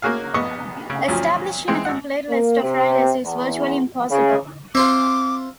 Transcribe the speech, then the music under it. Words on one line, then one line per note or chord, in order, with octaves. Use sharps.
Establishing a complete list of riders is virtually impossible.
A#3 C#4 F#4 G#4 F5
A#1 B3 D#5 C#6 D#6
C#3
D2 F3 F#3 C#4
E3 G#3 C4
G#1 F#5
A#3
C3
E2
C#3
C4 F4 C5 E5 D6